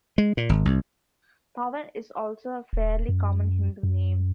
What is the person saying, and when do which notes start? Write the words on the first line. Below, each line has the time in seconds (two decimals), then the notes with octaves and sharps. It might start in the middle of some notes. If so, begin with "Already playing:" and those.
Pavan is also a fairly common Hindu name.
0.18 G#3
0.37 A#2
0.49 G#1
0.65 C2
2.73 D#1
3.09 F#2
3.83 F#2